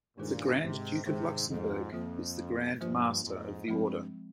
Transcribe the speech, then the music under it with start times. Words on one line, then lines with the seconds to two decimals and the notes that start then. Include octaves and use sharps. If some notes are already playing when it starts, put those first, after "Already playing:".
The Grand Duke of Luxembourg is the Grand Master of the Order.
0.17 G2 A#2 D#3 G#3 D#4 G#4 C5
0.61 G#2 C3
1.05 G#2 C3 D#3 G#3 D#4 G#4 C5
1.49 F2 G#2
1.93 F2 F3 A#3 F4 C5
2.80 G2 F3 A#3 F4 C5
3.24 F2 G#2
3.67 G2 F3 G#3 C4